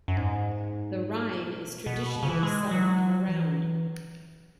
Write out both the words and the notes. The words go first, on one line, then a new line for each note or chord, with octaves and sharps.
The rhyme is traditionally sung in a round.
F#2
G#2
B2
B2
C#3
E3
G#3
F#3
E3